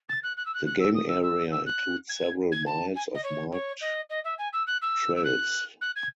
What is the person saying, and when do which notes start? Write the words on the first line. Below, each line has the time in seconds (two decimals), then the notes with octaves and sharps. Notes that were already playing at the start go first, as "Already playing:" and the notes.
The game area includes several miles of marked trails.
0.09 A6
0.23 F#6
0.37 F#6
0.45 E6
0.54 F#6
0.65 F#6
0.80 E6
0.94 D#6
1.08 E6
1.22 E6
1.51 E6
1.66 F#6
2.09 G#6
2.51 G#6
2.66 A5
2.95 G#5
3.14 D#5
3.23 C#5
3.52 C#5
3.81 D#5
4.09 D#5
4.24 E5
4.38 G#5
4.53 E6
4.67 F#6
4.81 E6
5.16 E6
5.24 F#6
5.81 F#6
5.96 G#6